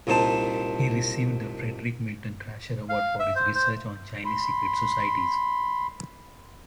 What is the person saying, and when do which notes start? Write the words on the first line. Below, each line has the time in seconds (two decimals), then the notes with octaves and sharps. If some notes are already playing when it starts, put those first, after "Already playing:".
He received the Frederic Milton Thrasher Award for his research on Chinese secret societies.
0.07 C2 A#2 D#4 C5 A5
2.89 F5
3.20 E5
3.35 C5
3.55 C5
4.25 B5 C6